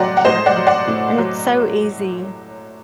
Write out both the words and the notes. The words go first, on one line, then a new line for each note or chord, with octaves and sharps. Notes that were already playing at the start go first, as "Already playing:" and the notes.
Sure. And it's so easy,
Already playing: A2 F#3 D5 F#5 G5 A#5 C6
F#5
A2 C5 D#5
D5 F#5
F#3
D5 F#5
A2
F#3